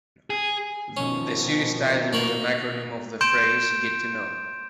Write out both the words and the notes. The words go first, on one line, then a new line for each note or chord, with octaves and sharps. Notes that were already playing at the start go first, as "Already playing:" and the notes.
The series title was an acronym of the phrase "Get To Know".
G#4
B2 D#3 F3 C#4
A#3 F#4 A#4
C6 G6 D7 E7